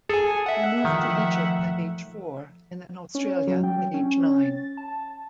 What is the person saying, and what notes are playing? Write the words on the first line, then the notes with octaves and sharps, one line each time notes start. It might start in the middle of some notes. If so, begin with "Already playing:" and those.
He moved to Egypt at age four and then Australia at age nine.
G#4 A4 G#5
E5 F#5
D#3 F3 A3
C#4
F#3
G5
C#4
A6
A5